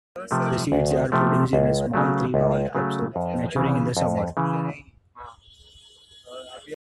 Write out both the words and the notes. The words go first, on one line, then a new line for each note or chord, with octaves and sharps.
The seeds are produced in a small, three-valved capsule, maturing in summer.
C3 F3 A3
D2
C3 F3 A3
C#2
C#3 F#3 A3
C#2
C#3 F#3 A3
F2
C#3 E3
F2
C#3 E3